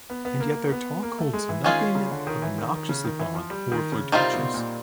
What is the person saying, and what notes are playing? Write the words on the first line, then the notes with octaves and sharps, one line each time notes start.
And yet their talk holds nothing obnoxiously fond or flirtatious.
B3
B3
A#3
B3
A#3
A3
G#3
E3
D#3 G#3 C#4 F4 G#4
C#3
D3
D#3
E3
D#3
D#3
C#3
D#3
E3
F3
G3
D#3
C#3
C3 D#3 G3 C4 F4
B2
A#2